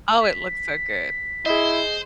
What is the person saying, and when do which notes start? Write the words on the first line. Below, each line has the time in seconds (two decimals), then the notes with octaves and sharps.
Oh, it looks so good.
0.21 B6
1.46 E4 G#4 C5 D#5